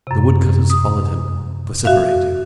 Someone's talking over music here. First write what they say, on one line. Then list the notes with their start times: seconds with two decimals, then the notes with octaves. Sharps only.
The woodcutters followed him, vociferating.
0.07 F#2 C3
0.70 D#6
1.85 F#4 E5 F5